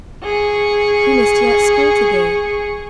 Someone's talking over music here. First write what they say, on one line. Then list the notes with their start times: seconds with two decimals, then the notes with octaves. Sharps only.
"We missed you at school to-day."
0.23 G#4 C#6